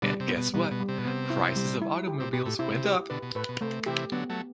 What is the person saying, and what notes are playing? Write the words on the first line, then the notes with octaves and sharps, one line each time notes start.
And guess what, prices of automobiles went up.
B2 D3 G3
C3
B3
B2
B2 G3
B2
G3
C3
B2
C3 B3
E4
G3
E4
G4
C3
B2 G4
A2
C3 E4
G4
B2 D3 B4
B2
A2 B4
B2
C3 A3
C3 E3 G4
D3 F#3 B3
F#3 A3